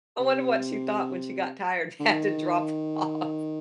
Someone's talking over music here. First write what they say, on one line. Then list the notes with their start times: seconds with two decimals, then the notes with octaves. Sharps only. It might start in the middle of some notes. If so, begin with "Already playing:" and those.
I wonder what she thought when she got tired, had to drop off.
0.20 C3
2.00 D3
2.09 D#3